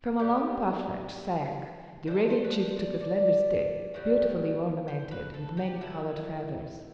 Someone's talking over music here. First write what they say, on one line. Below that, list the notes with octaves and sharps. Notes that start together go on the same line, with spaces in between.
From a long parfleche sack the Raven chief took a slender stick, beautifully ornamented with many-colored feathers.
B2 G3 B3 G4
D3 A3 C5
C5
B4
C5
D5
D5
A2 E3 G3 B3
C5
B4
A4
G4
A2 F3 B3 E4